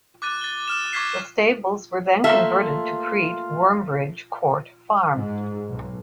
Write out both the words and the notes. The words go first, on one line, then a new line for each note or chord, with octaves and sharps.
The stables were then converted to create Wormbridge Court Farm.
D6 F#6 A6 D#7
A6 G7
D#6 F6 E7
C#6 D6 F6 G#6 B6 C7
A3 A#3 F4 E5
G#2
B1